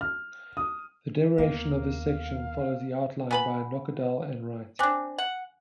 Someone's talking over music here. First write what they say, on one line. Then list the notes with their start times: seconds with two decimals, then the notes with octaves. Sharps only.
The derivation of this section follows the outline by Nocedal and Wright.
0.01 F6
0.57 D#6
1.38 D#2 A#3 B3 F5
3.31 B3 B4 G#5 B5
4.79 C4 D4 G#5 D6 F#6
5.18 F#5